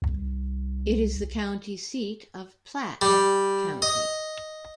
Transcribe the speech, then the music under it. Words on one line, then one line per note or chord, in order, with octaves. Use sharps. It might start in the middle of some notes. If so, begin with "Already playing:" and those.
It is the county seat of Platte County.
C2
G3
D#5